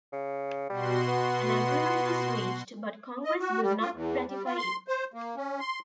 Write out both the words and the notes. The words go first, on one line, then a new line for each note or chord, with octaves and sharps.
An agreement was reached, but Congress would not ratify it.
C#3
B2 G3 F#4 C6
B3
D#5
F#4
G3
F4
E2
G3
F4
C6
C5
A#3
C#4
C6